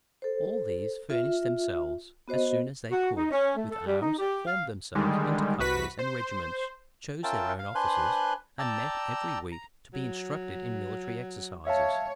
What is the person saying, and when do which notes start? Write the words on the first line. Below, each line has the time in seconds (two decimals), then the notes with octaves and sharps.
All these furnished themselves, as soon as they could, with arms, formed themselves into companies and regiments, chose their own officers, and met every week to be instructed in military exercises.
0.22 A4 C5
1.10 F4 E5
2.28 B3 F#4 C5 D#5
2.92 F#4
3.17 D#4
3.32 C#4
3.57 A3
3.72 A4
3.87 G3
4.02 D#4
4.19 G4
4.47 F5
4.95 D3 D#3 G3 G#3
5.59 C2 F#4 B4 B6
5.99 C5
7.23 C#4 F4 A#4 E5 G5 A5
7.59 F5
7.75 D4 B4 C5 G#5 C6 F#6
8.59 D5 G5 A5 A#5 E6
9.52 A#5
9.94 F#3
11.67 C#5 E5 F5 A5